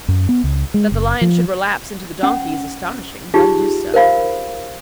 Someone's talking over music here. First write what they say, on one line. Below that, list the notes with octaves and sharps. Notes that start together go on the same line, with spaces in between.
That the lion should relapse into the donkey is astonishing; but it is so.
F#2
B3
C#2
G#3
F#1
F3
C#4 F#5
D#4 F4 G4 G#4
A#4 C5 F5 B5